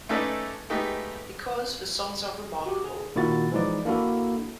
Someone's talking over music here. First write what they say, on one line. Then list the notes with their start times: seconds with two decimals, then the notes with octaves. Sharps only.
Because the songs are remarkable.
0.09 A3 C#4 D#4 A4 B4 D5
0.70 G#3 A3 B3 D#4 G4
2.66 F#4 G4
2.84 G#4
3.16 A#2 D#3 E4 F#4 A6
3.52 E3 F3 G#3 D#4 D5
3.85 A#3 D4 E4 F#4 A4